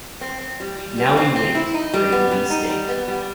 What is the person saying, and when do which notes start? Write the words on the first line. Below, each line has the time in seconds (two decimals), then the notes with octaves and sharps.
Now we wait for a release date.
0.21 C4
0.41 C4
0.60 G3
0.78 G3
0.98 G3
1.17 C4
1.36 C4
1.55 E4
1.74 D#4
1.94 G3
2.12 B3
2.31 G3
2.50 D#4
2.70 G3
2.88 B3
3.08 G3